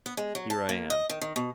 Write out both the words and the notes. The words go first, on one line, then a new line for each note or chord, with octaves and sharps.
Here I am.
B3
G#3
F#3
A5
A#3
D#5
D#3
D#3
B2